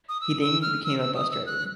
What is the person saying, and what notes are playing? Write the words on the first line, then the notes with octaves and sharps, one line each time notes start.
He then became a bus driver.
D#6
E6
E6
F6
E6
E6
D#6
E6
F#6